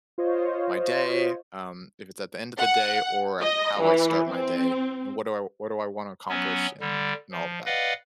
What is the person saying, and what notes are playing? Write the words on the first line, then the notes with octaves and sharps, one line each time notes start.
my day, um, if it's at the end of the day, or how I start my day, and what do I what do I wanna accomplish and and all of that.
F4 C5 C#5 D#5
F#5
D#5
E3
C4
F#3 B3 C#4
D3 G3
F3
B4 D5 D#5 F5 F#5